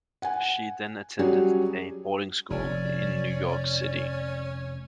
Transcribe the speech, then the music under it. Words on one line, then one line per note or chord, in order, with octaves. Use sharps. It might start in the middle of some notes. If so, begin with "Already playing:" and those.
She then attended a boarding school in New York City.
F#5 G#5
F#3 G3 C#4 F#4 G#4 C#5
F1 C#4 D5